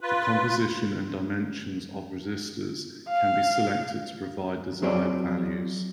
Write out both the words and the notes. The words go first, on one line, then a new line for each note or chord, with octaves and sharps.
The composition and dimensions of resistors can be selected to provide desired values.
F4 B4
F5
F#3 C4 G#4 C#5 D5